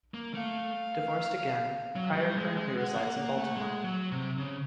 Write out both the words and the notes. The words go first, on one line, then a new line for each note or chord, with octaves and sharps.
Divorced again, Pryor currently resides in Baltimore.
A#3
A3 F5
F#3
F#3
G3
G#3
G#3
G#3 F#5
A#3
A#3
A3
G#3
F#3
C3
C#3